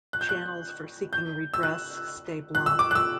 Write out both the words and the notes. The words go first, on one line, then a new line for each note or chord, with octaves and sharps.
Channels for seeking redress stay blocked.
F#6
G6
F#6
G6
E6
F#6
F#6
E6
D6
F#6
E6